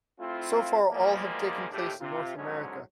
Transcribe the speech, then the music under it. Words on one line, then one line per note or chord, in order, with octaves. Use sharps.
So far all have taken place in North America.
A3 C4 E4 F4
E2 F3 G3 G#3 A#3
D#2 A2 D4 G4
C3 F4
E2 G#2 D3 F#3 G#3 C#4